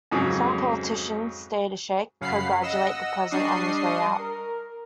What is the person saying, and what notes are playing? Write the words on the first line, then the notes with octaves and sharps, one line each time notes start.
Some politicians stay to shake, congratulate the President on his way out.
F2 G#2 C#3 F#3
F#2 C#3 F5 F#5 B5 C7
D#5 F#5 E6 A#6
G3 D4 D#5 C#6 D#6 C7
A#4